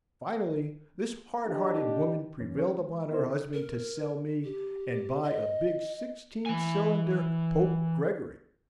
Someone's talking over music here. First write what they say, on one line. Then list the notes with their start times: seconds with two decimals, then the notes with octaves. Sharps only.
Finally, this hard-hearted woman prevailed upon her husband to sell me and buy a big sixteen-cylinder Pope-Gregory.
1.47 D4 G4 D#5
2.40 E2 E3 A#3 C#4
2.58 C#4
2.78 G#3
3.11 B3 E4 C5
3.54 A#4
4.45 G4
5.23 D#5
6.46 E3 G#5